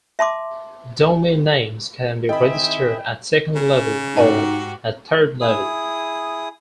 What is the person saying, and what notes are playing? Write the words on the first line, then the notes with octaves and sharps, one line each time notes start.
Domain names can be registered at second-level or at third-level.
E5 A5 C6 D6
D#3 C4 E4 G#4 D#5 E5 G5 B5
C#3
G#2 D#4 F#4 G4
E4 G#4 D#6